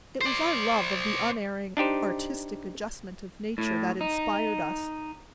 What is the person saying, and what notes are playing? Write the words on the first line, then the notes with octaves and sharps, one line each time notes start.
It was our love of the Unerring Artistic Adjustment of Nature that inspired us.
C5 D5
D4 D#4 G4 C5
A2
D#4